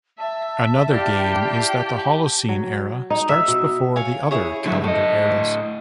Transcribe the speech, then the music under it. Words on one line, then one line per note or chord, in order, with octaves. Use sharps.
Another gain is that the Holocene Era starts before the other calendar eras.
E5 A5
E4 G4 D5 F5 G5
F#3
D#4
E5
B2
C#5 F5 G#5
E4 G#4 C#5
D3 F#3 E5
A2 A4 D#5